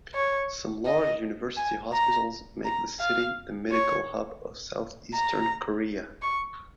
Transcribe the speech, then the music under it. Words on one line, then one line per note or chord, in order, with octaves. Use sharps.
Some large university hospitals make the city the medical hub of south-eastern Korea.
C#5
D#5
G#5
A#5
A#5
F5
C#5
A#5
C#6